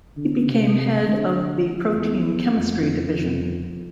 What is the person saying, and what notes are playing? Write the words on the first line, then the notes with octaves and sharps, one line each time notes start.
He became head of the Protein Chemistry division.
D3
C3
D3
E2
F2
F2
F2